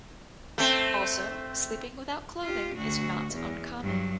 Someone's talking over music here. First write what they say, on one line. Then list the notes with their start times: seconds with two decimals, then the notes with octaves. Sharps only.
Also, sleeping without clothing is not uncommon.
0.58 A3 C4
2.43 F4 G4
2.75 D2 F#4
3.34 E2
3.81 G2 F#3